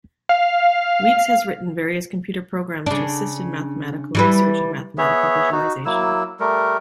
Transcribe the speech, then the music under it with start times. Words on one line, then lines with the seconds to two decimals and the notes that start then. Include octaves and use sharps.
Weeks has written various computer programs to assist in mathematical research and mathematical visualization.
0.29 F5
2.86 C#3 D4
4.15 E3 G3 B4
4.98 B3 G#4 C#5 E5
5.52 D#4 F#4
5.86 F#3 A#3 E4 E6
6.40 G3 A3 A#4